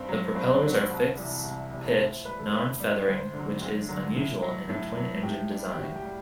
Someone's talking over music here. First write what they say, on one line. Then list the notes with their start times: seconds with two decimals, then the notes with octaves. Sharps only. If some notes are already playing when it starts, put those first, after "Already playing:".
The Propellers are fixed-pitch non-feathering, which is unusual in a twin-engine design.
Already playing: G2 C4
0.09 F#3
0.35 G2 C4
0.54 D4
0.63 F#3
0.72 F#4
0.90 C2
1.18 C3 E3 G3
1.44 C2
1.71 C3 E3 G3
1.98 A2 C5
2.25 G3 B4
2.40 A4
2.53 A2 B4
2.80 G3
3.07 D2 C5
3.34 D3
3.39 F#3
3.62 D2
3.89 D3 F#3
4.16 A2
4.43 F#3
4.69 A2
4.97 F#3
5.23 A2 G4
5.51 G3
5.71 G4
5.78 A2 F#4
5.96 G4
6.05 G3